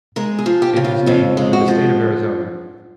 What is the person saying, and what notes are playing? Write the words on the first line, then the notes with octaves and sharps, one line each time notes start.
It was named for the state of Arizona.
G#3 A#4
G#4
F3
G4
C#3
F4
F2 F4
G#3
F#4
F3